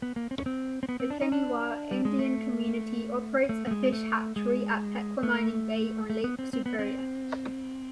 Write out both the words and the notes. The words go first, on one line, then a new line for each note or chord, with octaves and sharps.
The Keneewaw Indian Community operates a fish hatchery at Pequamining Bay on Lake Superior.
B3
A#3
C4
C#4
C4
C4
B3
C4
D4
D#4
D4
G3
G#3
A3
A3
A3
G#3
A3
G#3
A3
A3
B3
C4
C4
B3
C4